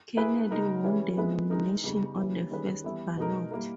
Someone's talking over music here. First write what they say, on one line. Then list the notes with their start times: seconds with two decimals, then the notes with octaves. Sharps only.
Kennedy won the nomination on the first ballot.
0.17 A#3 E4 G#4 B4
0.51 C#3 G#3 D#4 A#4
0.84 E3 G3 C#4 E4 G4
1.17 G#3 B3 E4 G#4 B4
1.50 E3 G#3 D#4 A#4
1.84 C#3 G3 B3 D#4
2.17 E3 G3 A#3 C#4 E4
2.51 D#3 G3 C#4 G#4 B4
2.84 E3 G3 B3 E4
3.17 B2 G#3 D#4 A#4
3.51 G3 A#3 E4 A#4